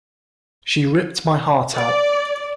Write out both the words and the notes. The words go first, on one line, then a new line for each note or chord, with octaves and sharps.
She ripped my heart out.
D5